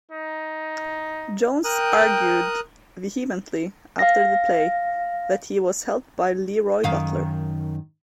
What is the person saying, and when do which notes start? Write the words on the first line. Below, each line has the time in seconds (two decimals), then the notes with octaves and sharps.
Jones argued vehemently after the play that he was held by LeRoy Butler.
0.11 D#4
1.64 A#4 G5 D#6 F#6
3.99 F5 A#6
6.83 F#2 D#3 F5